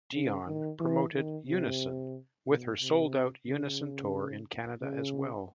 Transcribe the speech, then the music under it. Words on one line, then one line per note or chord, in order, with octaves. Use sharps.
Dion promoted "Unison" with her sold-out Unison Tour in Canada as well.
C#3
D#3
E3
D#3
C3
B2
C3
C#3
C#3